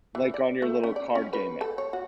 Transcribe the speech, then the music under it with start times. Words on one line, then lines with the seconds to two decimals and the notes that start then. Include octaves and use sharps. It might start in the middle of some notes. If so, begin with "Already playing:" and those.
Like, on your little card game app.
0.15 E3
0.34 D5
0.62 A3
0.84 C#4
0.96 D5
1.15 C#4
1.33 B4
1.61 A4
1.78 C#5
1.93 F#4